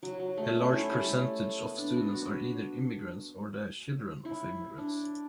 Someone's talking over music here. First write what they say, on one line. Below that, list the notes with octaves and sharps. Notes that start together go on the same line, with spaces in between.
A large percentage of students are either immigrants or the children of immigrants.
F#3
F#3
A3
C#4
E4
G3
A3
B3
D4
F#4
F#4
E4
D4